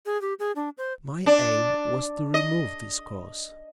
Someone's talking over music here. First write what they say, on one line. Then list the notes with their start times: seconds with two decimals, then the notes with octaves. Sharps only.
My aim was to remove this cause.
0.06 G#4
0.22 G4
0.39 G#4
0.56 D4
0.78 C5
1.26 D4
2.34 D#5